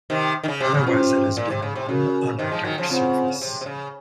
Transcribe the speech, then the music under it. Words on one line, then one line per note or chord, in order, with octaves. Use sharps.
Otherwise, it has been run on a dirt surface.
C3 D#3
D#3
C#3
C3
C#3
C3 C#4 F4 C5
A#2
C3
C#3
C3
C#3 C#4 F#4 A#4
C3 D#3
F3 G#3
D#3 F#3
C#3 F3
C#3 C4 F4 C5 F#5
C3
C3
C#3